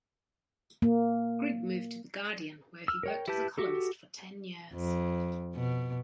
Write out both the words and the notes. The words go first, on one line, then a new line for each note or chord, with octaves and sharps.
Grigg moved to "The Guardian", where he worked as a columnist for ten years.
A#3
E6 F6
A#4 C#5 G5
E4 G4 B4 A5 G6
F#4 G4 A4
F2
B2